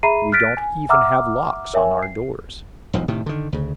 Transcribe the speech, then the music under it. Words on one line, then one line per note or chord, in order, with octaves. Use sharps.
We don't even have locks on our doors.
G#4 E5 A#5 B5 C7 D#7
F6 F#6 A6 B6 D7
G#5
E5 F#5 A#5 D6 E6 F6
A#4 C#5 E5 G5 G#5
C7
E1 B1 F3
A2 C3 D#3
D3 D#3
D2 C#3